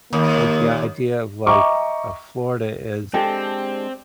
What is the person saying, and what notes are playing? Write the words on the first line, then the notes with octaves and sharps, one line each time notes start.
like, the idea of like, uh, Florida is
D#2 A#3
D#5 E5 G5 A#5 C#6 D6
G#3 C4 D4 G4 A4